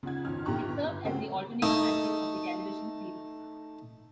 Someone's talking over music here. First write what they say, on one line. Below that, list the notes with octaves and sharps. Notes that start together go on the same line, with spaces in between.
It served as the alternate anthem of the television series.
C#3 F3 F#5 G#6
G#1 F2 C#4 F6
A#1 D3 G4 A#5 C#6 F#6
G1
C#3 C4 F#4 G#4 A#4
A3 D#4 D#6